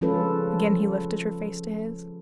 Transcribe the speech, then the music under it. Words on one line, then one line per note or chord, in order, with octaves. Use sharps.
Again he lifted her face to his.
F3 G#3 C#4 F4 A4 B4